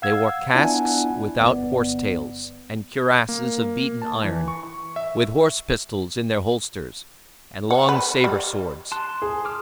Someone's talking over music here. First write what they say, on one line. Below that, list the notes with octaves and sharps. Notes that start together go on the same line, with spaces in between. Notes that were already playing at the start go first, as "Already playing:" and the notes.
They wore casques without horse-tails, and cuirasses of beaten iron, with horse-pistols in their holsters, and long sabre-swords.
F5 F#5 E6 G#6
B3 D4 E4 F4 F#5 G#5
G1 B3 D5
A#3
A5
E3
C#6
C#6
E5
F#5
B4
G3
A5 C6 F#6
G#4
D6 F6